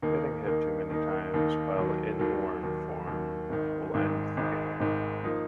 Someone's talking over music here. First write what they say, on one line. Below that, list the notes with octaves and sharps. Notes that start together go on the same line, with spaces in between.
Getting hit too many times while in worm form will end the game.
D#2 D#3 A#3 D#4
D#2 D#3 A#3 D#4
D#2 D#3 A#3 D#4
D#2 D#3 A#3 D#4
D#2 D#3 F#3
D#2 D#3 F#3
D#2 D#3 F#3
D#2 D#3 F#3
G#1 G#2 D#3
G#1 G#2 D#3
G#1 G#2 D#3
G#1 G#2 D#3
F3 A#3 D#4